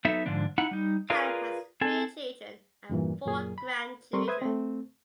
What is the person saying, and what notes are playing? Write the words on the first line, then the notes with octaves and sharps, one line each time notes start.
Callum has three children and four grandchildren.
F#3 B3 D#4 A4 E5
G#2 D3 F3 D4
D#4 E4 F#5
G3 D#4
F4 G#4 A#4 B4 D5 F5
C4 G#4 A4 G#5
E2 G2 A#2 E3
F#2 A#2 F#3 G#4
B5
G3 C4 A#4 C6 C#6
B4 C5 E5 D#6 G#6
A3 C4